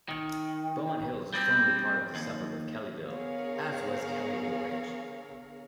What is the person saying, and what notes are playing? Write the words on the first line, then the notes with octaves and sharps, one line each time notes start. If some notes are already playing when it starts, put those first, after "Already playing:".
Beaumont Hills was formerly part of the suburb of Kellyville, as was Kellyville Ridge.
D#3
G3 C4
D#2
D3 B3 G#4 A#4 C#5 F5